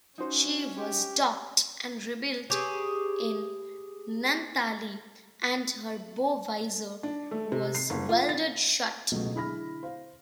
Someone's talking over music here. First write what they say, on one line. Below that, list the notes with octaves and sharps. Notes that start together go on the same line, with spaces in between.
She was docked and rebuilt in Naantali and her bow visor was welded shut.
C#4 D#4 F#4 C5
G4
G4 G#4 B4 C#5
D4
A3
C3
C7
F#1
F4
A6
C#2 B2 F#3 A3
D3 E4 G#4 B5 F6 A#6
C5 F5